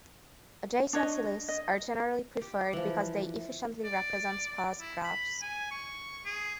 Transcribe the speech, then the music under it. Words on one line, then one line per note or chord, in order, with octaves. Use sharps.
Adjacency lists are generally preferred because they efficiently represent sparse graphs.
D4 C#5 D#5
D#5
G4
E3 F3
D5
E4
B5
G#5
C#6
G#4